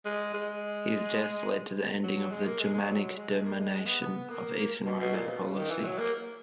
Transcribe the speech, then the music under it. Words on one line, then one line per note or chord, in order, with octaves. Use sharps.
His death led to the ending of the Germanic domination of Eastern Roman policy.
G#3
G#3
F#3
G#3
A#3
G#3
G#3
F#3
G#3
A#3
G#3
G#3
B3
B3
A#3
A#3
B2
B2
A#2
B2
C#3
D#3
E3
F#3
A#3